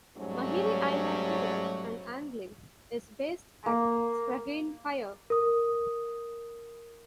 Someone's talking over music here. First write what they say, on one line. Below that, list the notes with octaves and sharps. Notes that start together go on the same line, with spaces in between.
Maheree Island Tours and Angling is based at Scraggane Pier.
G#2 F#3 G3 A3 C#4
A#3
A#4 D#6